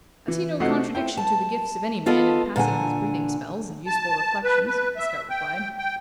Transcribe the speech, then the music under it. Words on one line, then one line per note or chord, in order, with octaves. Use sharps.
"I see no contradiction to the gifts of any man in passing his breathing spells in useful reflections," the scout replied.
E3
C3 A3 D#4 F#4 F#5 C7
C4 E4 G5
A5
B3 F4 A4 D#5
A#2 D3 F#5 G#5
A5
B4
B4
E5
G5
G5